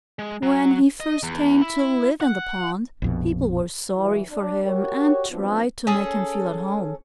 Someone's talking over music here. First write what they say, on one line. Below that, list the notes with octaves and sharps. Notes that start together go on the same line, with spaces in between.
When he first came to live in the pond, people were sorry for him, and tried to make him feel at home.
G#3
F#3
D#5
E2
E4
F#5
A#1 F2 B2
E3 F#3
D4
F#4 G4 A#4 C#5
F3 F#3 B3 C4 D4 F4
C#4 G#4 A4